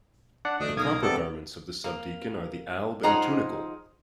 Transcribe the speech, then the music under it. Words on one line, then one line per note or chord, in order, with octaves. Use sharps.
The proper garments of the subdeacon are the alb and tunicle.
D4 D5 F#5
D2 A3 D4 D#5
B1 A#3 D#6 G#6
C3 B3 C4 A4 D5
A#3
F3 D#4 G#4 C5 F#5 A#5